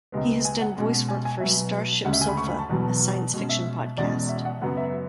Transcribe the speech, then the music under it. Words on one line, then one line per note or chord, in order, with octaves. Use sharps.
He has done voice work for StarShipSofa, a science-fiction podcast.
C#2 C#3 G#3 B3
G#5
F#5
B2 G#3 C#4
G#5
G#5
B2 F#3 B3 E5
D2 C#3 G#3 C#4 F#5
E5
G#5
B5
C#6
B5
A5
E2 B2 F#3 B3
B2 G#3 C#4
E5
E2 B2 G#3 C#4 D5
E5
F#5
F#2 C#3 F#3 B3 F#5
E5